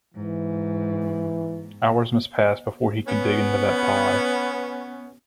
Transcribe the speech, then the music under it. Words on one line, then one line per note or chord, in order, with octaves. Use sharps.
Hours must pass before he could dig into that pie.
G#2 E3
B3 C#4